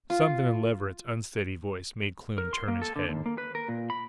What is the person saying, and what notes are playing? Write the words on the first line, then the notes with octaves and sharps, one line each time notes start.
Something in Leverett's unsteady voice made Kloon turn his head.
F4
A#4
C6
A#3
A4
D3
D#2
A#3
B4
A#4
A#2
B5